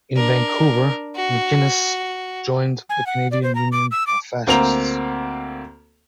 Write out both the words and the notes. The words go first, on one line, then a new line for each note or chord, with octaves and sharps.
In Vancouver, MacInnes joined the Canadian Union of Fascists.
D4 A#4
F#4
G#5
F#5
D5
C5
A#5
D6
E6
D6
D2 A#3 C4 A#5 F7